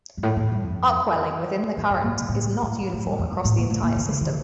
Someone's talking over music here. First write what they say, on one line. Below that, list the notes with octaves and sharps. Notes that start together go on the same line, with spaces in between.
Upwelling within the current is not uniform across the entire system.
G2
A2
A2
G2
F2
F2
G2
A#2
C3
A#2
A2
A2
G2
A2
G2
F2
G2
A2
A#2
A2
A#2
D#3
D3
D#3